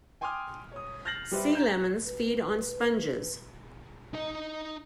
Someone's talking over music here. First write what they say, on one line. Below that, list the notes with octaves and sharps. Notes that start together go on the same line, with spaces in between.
Sea lemons feed on sponges.
G5 G#5 C6 D6 D#6 F6
C#5 D#6
F6 G6 A6 A#6 C7 F#7
G3 G4 B4 C5 E5
A#5 G6 E7
B4
D#4 D#5